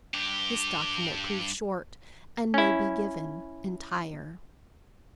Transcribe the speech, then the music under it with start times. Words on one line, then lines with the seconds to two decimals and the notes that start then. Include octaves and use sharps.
This document proved short and may be given entire.
0.14 G2 G4
2.54 C#4 E4